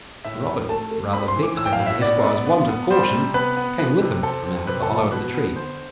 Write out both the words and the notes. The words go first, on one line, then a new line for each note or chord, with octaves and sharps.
Robin, rather vexed at his esquire's want of caution, came with him from out of the hollow of the tree.
A2 E5
A2
A3 A5
A3
C4 B5
C6
E3
D6
A2 E6
G5
F5
A2
E5
B3 D5
B3
B3
B3
G3 C5
C3
B3 B4
B3
F3 B4
C3
C4 A4
C4
C3 B4
A4
F3
A4
B2 B4
B3
D3 C5